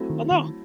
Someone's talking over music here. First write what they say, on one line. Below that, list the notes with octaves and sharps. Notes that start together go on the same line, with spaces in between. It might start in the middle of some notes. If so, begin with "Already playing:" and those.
oh, no.
Already playing: F#3 A3 C4 E4
D#3
D#3